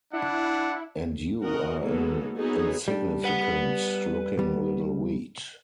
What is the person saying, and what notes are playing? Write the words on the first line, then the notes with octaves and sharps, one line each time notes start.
And you are an insignificant-looking little weed.
D4 E4 F#5
F#4 A#4 D#5 F#5
F#3 G#3 A#3 B3 D#4 A4
B3 D#4 F#4 G#4 A4 C#5
G3 D4
B4 F#5
G3